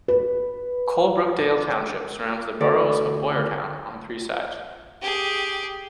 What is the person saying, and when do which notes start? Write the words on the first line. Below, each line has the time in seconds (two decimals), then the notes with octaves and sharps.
Colebrookdale Township surrounds the borough of Boyertown on three sides.
0.08 B4
2.61 D2 A4 D5
5.01 G4 G#4